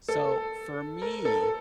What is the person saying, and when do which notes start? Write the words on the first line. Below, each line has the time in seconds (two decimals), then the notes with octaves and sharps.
So, for me,
0.09 A4
1.02 A#4
1.25 A4